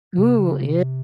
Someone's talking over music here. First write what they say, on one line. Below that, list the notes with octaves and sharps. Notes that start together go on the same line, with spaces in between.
Ooh, yea
C3
C#3
C3